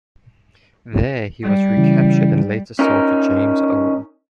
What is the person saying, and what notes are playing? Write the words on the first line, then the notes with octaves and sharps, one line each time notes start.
There he was recaptured and later sold to James Owen.
G3
C#3 E3
C#4 D#4 A#4